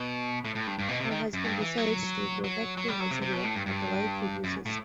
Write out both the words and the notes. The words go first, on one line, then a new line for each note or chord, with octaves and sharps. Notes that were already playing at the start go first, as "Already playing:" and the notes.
Her husband decides to go back to Nigeria but the wife refuses.
Already playing: B2
A2
A2
G2
G2
B2
C3
D#3
F#2
G2
E3
F#3
F#3
F#3
G3
F#3
C3
C3
B2
A2
G2
G2
F#2
A2